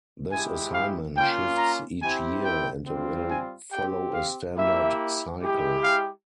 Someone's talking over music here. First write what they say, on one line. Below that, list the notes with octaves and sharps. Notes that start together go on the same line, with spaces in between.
This assignment shifts each year and will follow a standard cycle.
G#3 E4 G4 G#5
F5
A#3 C#4 F4 G5
A#5
C4 E4 G4 G#5
G5
G3 C4 F4
G#5
C4 G4 G5
F5
A#3 E4 G4 E5
G#3 E4 G4
F5